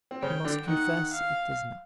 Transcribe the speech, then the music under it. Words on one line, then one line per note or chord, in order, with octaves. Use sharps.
We must confess it does not.
C4
C#3 C#4 G5
D3 D4
D#3 D#4 F#5
F5